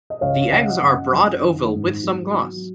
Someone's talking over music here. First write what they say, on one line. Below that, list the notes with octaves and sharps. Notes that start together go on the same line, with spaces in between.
The eggs are broad oval with some gloss.
D#5
C#2 C#5 F5
C#3 D#5 F#5
F#2
F#2
D#3
G#2
F#3
F#3